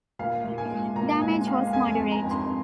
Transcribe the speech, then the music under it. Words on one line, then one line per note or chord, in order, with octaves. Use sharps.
Damage was moderate.
A#2 F5
A#2
G#5
G#3
A#2 A#5
G#3 G#5
G#3 F5
F5
F2 G#5
G#5
G#3
A#5
F2
C6